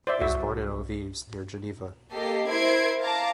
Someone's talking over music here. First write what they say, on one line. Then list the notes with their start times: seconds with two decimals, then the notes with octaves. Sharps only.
He was born in Eaux-Vives near Geneva.
0.07 C5 D5 E5
0.21 C2 F#4 E5
2.11 A#3 G4 A4 D#5 C7
2.47 E4 A#4 C5 G#6 C7 D7
3.02 F5 A5 A#5 D6